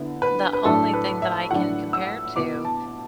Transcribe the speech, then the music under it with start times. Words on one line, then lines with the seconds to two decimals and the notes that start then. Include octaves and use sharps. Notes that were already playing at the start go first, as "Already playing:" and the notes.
the only thing that I can compare to
Already playing: D3 B3 E4
0.22 B4
0.53 B4
0.65 A2 F#3 D4 A4
0.93 B4
1.22 E5
1.51 A2 F#3 D4 F#5
1.93 E6
2.36 B2 B3 E4 D6
2.65 A5